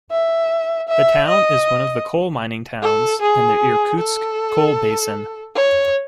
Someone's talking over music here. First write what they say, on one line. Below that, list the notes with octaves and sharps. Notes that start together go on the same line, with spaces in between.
The town is one of the coal-mining towns in the Irkutsk coal basin.
E5
E5
D#5
A4
G#4
A4
C#5